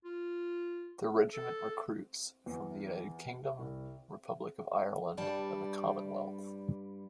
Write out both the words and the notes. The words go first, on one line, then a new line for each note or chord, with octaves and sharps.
The Regiment recruits from the United Kingdom, Republic of Ireland and the Commonwealth.
F4
A4
E2
C2
G2 G3 D5 A5